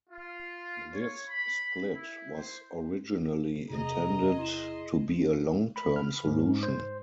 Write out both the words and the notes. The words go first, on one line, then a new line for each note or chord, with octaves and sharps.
This split was originally intended to be a long-term solution.
F4
C#5
B5
E4
C5
E1 C3 G#4 D#5 A#5
E4 C6 E7
B5
F6
G#2
C5